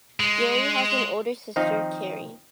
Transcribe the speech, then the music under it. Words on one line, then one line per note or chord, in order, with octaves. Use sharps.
Garry has an older sister, Kerry.
G#3
D#3 F3 C4 D#4 F5